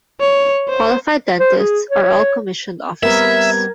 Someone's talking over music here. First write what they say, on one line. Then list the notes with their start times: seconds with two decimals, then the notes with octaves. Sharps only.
Qualified dentists are all commissioned officers.
0.20 C#5
0.69 C5
1.40 C5
1.59 G#4
1.90 C#5
3.03 G3 B3 C4 A#4 E5 G#6